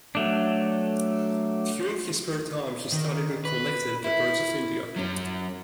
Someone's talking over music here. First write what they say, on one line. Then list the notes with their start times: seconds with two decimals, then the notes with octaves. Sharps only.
During his spare time he studied and collected the birds of India.
0.15 F#3 A3 D4
2.92 D#3
3.45 B4
4.04 E4
4.96 F#3 C#4